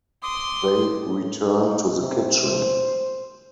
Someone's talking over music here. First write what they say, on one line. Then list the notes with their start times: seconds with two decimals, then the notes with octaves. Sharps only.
They returned to the kitchen.
0.23 C6 D6 D#6
1.07 A2
1.48 D#4
2.00 C3
2.43 C5